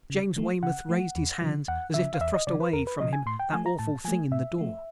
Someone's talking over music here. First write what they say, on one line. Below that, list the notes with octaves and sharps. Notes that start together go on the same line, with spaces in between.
James Weymouth raised his hands, as if to thrust away from him that awful thing in the door.
C#3
F3 A3
C#3 F#5
F3 A3
E2
C#3 F3
E2 F#5
C#3 F3 E5
F5
E2 E5
D#5
C#3 F3 D5
B4
E2 A#4
B4
C#3 F3 D#5
G#5
A2 C6
G5
F3 A3 G#5
A#5
A2 A5
F3 A3 G#5
A2 E5
F3 A3